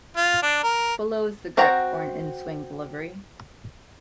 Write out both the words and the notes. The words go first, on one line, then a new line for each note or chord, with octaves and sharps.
Below is the grip for an inswing delivery.
F4
D4
A#4
C4 F#4 F#5 G5 A#5